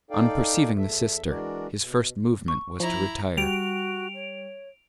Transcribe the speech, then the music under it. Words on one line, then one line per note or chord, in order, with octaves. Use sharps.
On perceiving the sister, his first movement was to retire.
D#4 A4 D5 F5 G5
E2 A4 E5
E3 G#3 D4 F#4 A#4 D5
B2
C#6
F3 E4 A#5
G3 F#4 D7 F7
C#5